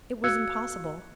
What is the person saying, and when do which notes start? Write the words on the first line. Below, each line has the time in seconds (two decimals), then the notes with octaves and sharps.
It was impossible?
0.24 F#4 F5 E6 F#6 G#6 C#7